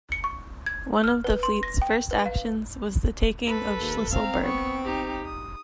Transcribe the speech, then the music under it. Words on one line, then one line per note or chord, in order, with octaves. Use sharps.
One of the fleet's first actions was the taking of Shlisselburg.
C#7
C#6
G#6
F6
B4
C6
A#6
G5
B4
F5
A4 B4
D#2
C4 F5 A#5
B3 C#6
D#4 G4
D#6